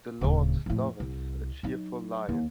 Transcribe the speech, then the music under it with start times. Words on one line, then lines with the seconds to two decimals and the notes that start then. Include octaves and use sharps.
The Lord loveth a cheerful liar.
0.21 D1 C#3
0.66 F2 A2
1.00 C2
1.63 F#3 D#4
2.29 D#2